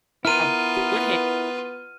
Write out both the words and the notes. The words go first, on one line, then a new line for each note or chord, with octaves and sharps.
a good
B3 E4 F4 A#4 B4 F6 D#7